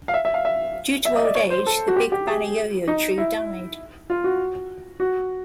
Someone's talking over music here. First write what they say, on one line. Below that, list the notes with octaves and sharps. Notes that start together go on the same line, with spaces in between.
Due to old age, the big "Banayoyo" tree died.
F5
E5
E5
F5
E5
E5
D#5
D5
C#5
C5
A4
F#4
G4
G4
G#4
D#4
E4
F4
F#4
F#4